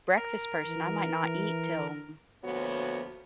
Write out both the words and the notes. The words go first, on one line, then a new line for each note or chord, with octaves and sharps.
breakfast person; I might not eat till,
A#4
E3
D2 A#2 F3 B3 F#4 C#5